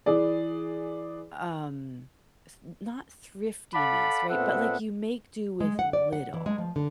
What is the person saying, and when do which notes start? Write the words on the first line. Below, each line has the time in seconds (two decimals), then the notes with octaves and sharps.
Um, th not thriftiness, right? But, like, you make do with little.
0.06 E3 G#4 D5
3.75 A4 D5 F5 F#5 A5 B5
4.30 A#2 B3 C4 A4 E5 F#5
5.60 G#3
5.79 F#5
5.93 D5
6.13 F#5
6.34 E3
6.46 G#3
6.58 F3
6.76 D3